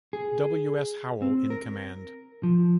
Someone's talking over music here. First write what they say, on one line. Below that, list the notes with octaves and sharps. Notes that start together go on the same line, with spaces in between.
W. S. Howell in command.
G#4
C4
A#4
F3